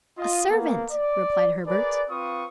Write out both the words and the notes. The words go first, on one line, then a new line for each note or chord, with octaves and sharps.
"A servant!" replied Herbert.
F4 D#5
A#3 B3
D5
G#4 A#4 B4 D5
C4 F4 B4 F5 C#6 D#6